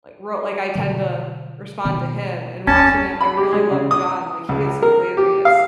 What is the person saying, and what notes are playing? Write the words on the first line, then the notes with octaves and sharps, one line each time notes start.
like, wrote like, I tend to respond to him and watching it, I really love John, like, he is hilarious.
B2 D3 F#3
B2 D#3 B3
F#1 D#2 C4 C#4 A5
B5
G4
G#3
C#3
D#6
C#2
A#4
G4
F5